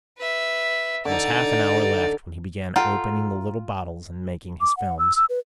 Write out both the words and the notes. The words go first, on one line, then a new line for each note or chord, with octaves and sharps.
There was half an hour left when he began opening the little bottles and making his films.
B4 E5
D3 D#4 D5
F4 A4 F#5 G5 A#5
D6
F#5
E6
E6
B4